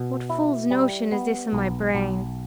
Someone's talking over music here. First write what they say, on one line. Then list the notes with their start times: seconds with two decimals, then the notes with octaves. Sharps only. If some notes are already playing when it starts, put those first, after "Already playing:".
What fool's notion is this in my brain?
Already playing: B2
0.30 E4
0.71 G3
1.12 B3
1.53 B1
1.95 B1